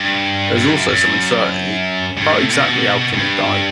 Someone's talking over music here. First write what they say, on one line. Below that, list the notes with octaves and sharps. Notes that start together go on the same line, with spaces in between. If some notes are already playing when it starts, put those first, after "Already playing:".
There is also some uncertainty about exactly how Kinnick died.
Already playing: G2
G2
F#2
F#2
G2
A2
B2
G2